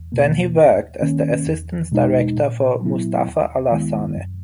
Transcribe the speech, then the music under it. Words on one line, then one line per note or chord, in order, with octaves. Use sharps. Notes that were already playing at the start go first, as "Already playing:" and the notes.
Then he worked as the assistant director for Moustapha Alassane.
Already playing: E2
B2 A#3
D#2
D#3 A#3 C#4
E2
B2 G#3 D#4
A#2
F#3 B3 E4
D#2
D#3 G#3 B3 E4
F#2